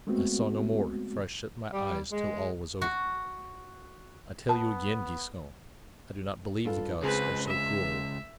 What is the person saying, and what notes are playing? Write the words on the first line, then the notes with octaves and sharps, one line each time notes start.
I saw no more, for I shut my eyes till all was over. I tell you again, Giscon, I do not believe the gods are so cruel.
G#3 A3 B3 C4 F#4
G3
G#3
F#4
B3 A5
G2 F4 A4
C#2 C4 G#4 B4
E5